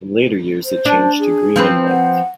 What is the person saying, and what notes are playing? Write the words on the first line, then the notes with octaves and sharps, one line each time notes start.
In later years it changed to green and white.
C5
D4
G#4
F3 C4 B4
F#5